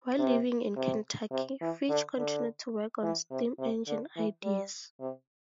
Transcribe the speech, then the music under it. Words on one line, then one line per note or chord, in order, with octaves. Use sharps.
While living in Kentucky, Fitch continued to work on steam engine ideas.
C3
C3
C3
E3
D3
D3
E3
C3
C3
D3
E3
G3
C3